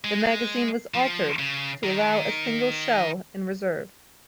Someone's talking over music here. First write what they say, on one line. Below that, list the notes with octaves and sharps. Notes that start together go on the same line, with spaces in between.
The magazine was altered to allow a single shell in reserve.
G#3
F3
C#3
D#3